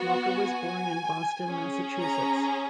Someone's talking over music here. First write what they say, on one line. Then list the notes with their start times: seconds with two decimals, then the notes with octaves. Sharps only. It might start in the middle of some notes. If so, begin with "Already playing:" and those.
Walker was born in Boston, Massachusetts.
Already playing: B3 F#4
0.35 G#5
1.45 C#4 G#4
2.00 A#5